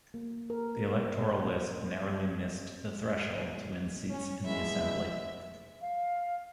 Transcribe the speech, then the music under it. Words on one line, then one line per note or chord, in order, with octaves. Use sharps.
The electoral list narrowly missed the threshold to win seats in the assembly.
A#3
A#4
C5
C#4
B2 G#3 E4 E5
F5